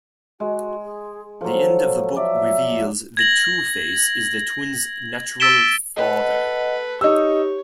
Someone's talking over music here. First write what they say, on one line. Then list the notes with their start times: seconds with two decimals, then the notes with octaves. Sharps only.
The end of the book reveals that Two-Face is the twins' natural father.
0.40 G#3 F#4
0.84 G#4
1.41 F3 F#3 A4
2.16 D5 E5
3.17 G#6 A#6 F#7
5.40 E6 A6 B6 D7 E7 G7
5.97 A4 B4 D#5 F#5
7.01 D#4 G4 C#5 E6